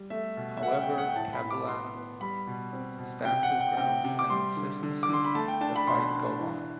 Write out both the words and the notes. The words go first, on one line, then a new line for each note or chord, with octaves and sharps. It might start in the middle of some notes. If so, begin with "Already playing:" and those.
However Kabilan stands his ground and insists the fight go on.
Already playing: G3
A3 E5
B2
E5
A3 F#5
G5
C4
F#5
G5
A2 A5
B5
A2
D6
B3 C6
B3
G3 B5
B2
C4
B2
C3 G5
F#5
C4
G5
C3 G5
C3
D6
G3 C6
D3
D3
D6
D3 C6
B5
A3 A5
G5
D4 A5
B5
B2 C6
D4
E3